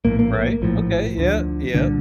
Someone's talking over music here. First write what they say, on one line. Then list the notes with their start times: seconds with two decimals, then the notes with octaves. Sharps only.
Right. Okay, yep, yep.
0.05 A#1 A2 A#3
0.19 A#3
0.33 A#3
0.62 A#1 A2 F3
1.18 D2 D3
1.74 C2 A#2 D3